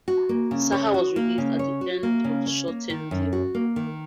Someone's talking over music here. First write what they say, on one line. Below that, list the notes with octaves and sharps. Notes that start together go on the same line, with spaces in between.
Saha was released at the end of the short-term deal.
F#4
A#3
C#3
C#5
F#4
A#3
C#3
C#5
F#4
A#3
C#3
C#5
A#3
D#3
F#2
F#4
A#3
D#3